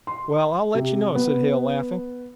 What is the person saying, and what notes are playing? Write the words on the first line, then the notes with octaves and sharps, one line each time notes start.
"Well, I'll let you know," said Hale laughing.
C6
C3
B3